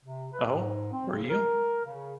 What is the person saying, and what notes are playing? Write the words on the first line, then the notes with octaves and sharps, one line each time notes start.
Oh, were you?
C3
B4
G#2
C4
C#3
A#4
C#3